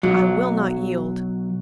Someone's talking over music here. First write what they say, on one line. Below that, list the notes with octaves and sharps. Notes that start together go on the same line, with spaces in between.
I will not yield.
B1 F#3